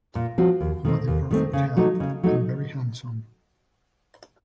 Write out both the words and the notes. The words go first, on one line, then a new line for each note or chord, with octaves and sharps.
He was in perfect health and very handsome.
A#2
F3 C4 F#4
D#2
D#3 A3 C4
D#2
D#3 A3 C4
C#3
F#3 A3 D#4
C#3
F#3 A3 D#4